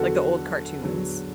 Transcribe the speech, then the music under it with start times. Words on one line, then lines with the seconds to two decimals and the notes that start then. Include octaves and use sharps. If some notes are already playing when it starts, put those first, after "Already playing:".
Like, the old cartoons.
Already playing: E2 D3 F#3 F#4 A4
0.81 E2 D3 F#3